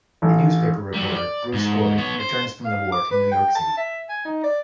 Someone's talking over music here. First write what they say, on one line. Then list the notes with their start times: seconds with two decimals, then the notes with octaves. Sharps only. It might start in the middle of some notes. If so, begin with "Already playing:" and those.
A newspaper reporter, Bruce Corey, returns from the war to New York City.
0.22 A1
0.94 F#3 G3
1.16 D5
1.53 G#2
1.98 B3 C#5
2.20 C5
2.65 F5
2.92 D6
3.11 B4
3.31 G5
3.55 A5
3.78 E5
4.09 G#5
4.25 D#4
4.44 D5